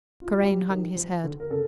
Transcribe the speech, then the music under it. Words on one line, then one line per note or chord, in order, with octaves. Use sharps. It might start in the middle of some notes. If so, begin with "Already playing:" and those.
Karain hung his head.
F4
F#4
G3 G4
D#3
F3
D3
A#4
C#3 A4